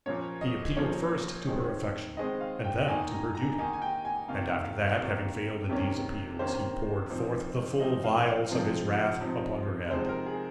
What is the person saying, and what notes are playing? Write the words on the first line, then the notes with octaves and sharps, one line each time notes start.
He appealed first to her affection, and then to her duty; and after that, having failed in these appeals, he poured forth the full vials of his wrath upon her head.
A#2 F3 A#3 C#4 C#5
D#5
A#2 F3 A#3 C#4 C#5
D#3 G#3 C4 D#4
D#3 G#3 C4 D#4 D#5
F5
G5
D#3 A#3 D#4 G#5
A#5
A#5
D#3 A#3 D#4 G#5
G#5
G5
G#5
C3 D#3 A#3 F5
F5
C3 D#3 A#3 F5
C3 D#3 A#3 C#4
C3 D#3 A#3 C#4 C5
A#2 F3 C4 D#4
A#2 F3 C4 D#4 D#5
F5
F5
C3 F3 C4 D#4
C3 F3 C4 D#4
C3 F3 G#3 D#4 C5
A#4
G#4